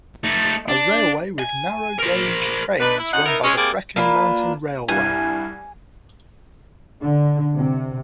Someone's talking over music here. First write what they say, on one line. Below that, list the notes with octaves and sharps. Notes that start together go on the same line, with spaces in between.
A railway with narrow gauge trains run by the Brecon Mountain Railway.
A3 D#4
D4
G#5
A#4 C5
D3 D4 D#4 B4
E4
F#2 D#4 F#5
B3 D#4 E4 A#4
G#3 C#4
C3 G3 A#3 C4 G#4 D5
A#3 D4 F4 B4
C2 G2 E4 G#5
D3
C3